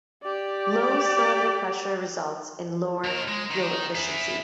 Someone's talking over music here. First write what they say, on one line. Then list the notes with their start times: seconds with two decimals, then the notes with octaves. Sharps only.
Low cylinder pressure results in lower fuel efficiency.
0.22 G4 D5
3.04 D#2 A#4
3.28 G#3
3.50 D#3
3.95 E4 G#4